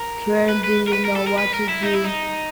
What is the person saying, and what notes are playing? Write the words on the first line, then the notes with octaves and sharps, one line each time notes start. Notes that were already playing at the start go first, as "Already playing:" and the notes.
Kieran didn’t know what to do.
Already playing: A#4
B4
B4
A#4
B4
A#4
A4
A#4
B4
A#4
E4
D#4
E4
D#4